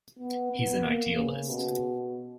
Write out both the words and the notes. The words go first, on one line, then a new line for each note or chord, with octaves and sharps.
He's an idealist.
B3
B3
A#3
C#3
B2